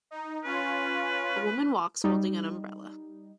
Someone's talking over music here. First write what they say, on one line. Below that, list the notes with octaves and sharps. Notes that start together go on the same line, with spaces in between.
A woman walks holding an umbrella.
D#4
C#4 F4 B4
G3 D#4